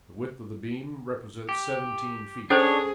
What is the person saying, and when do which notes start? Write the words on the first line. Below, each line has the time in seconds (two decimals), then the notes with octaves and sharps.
The width of the beam represents seventeen feet.
1.49 G4
2.50 C#4 D4 G#4 A4 C5 C#5